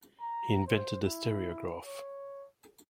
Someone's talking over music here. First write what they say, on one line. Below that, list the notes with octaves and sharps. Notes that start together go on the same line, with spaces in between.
He invented the Stereograph.
A#5
C5
E4
C#5